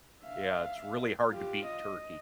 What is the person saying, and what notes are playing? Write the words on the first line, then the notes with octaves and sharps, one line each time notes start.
yeah, it's really hard to beat turkey.
E5 F5
F4 G4
D#5